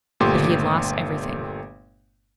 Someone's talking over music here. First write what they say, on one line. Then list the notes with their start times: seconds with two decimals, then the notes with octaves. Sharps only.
But he had lost everything.
0.20 G1 A#2 A3 G4 C6 D6